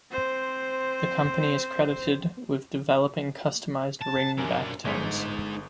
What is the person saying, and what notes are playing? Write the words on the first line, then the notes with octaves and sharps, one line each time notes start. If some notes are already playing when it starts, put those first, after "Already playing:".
The company is credited with developing customised ring back tones.
C4 C5
A5
F#2 A#3 D4 G#5
G1 G#3 D#4 G#4 B6